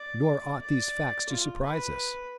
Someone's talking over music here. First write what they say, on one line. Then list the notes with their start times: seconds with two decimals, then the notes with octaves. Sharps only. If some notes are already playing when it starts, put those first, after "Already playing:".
Nor ought these facts to surprise us.
Already playing: D5
0.60 D5
1.29 F4
1.63 B4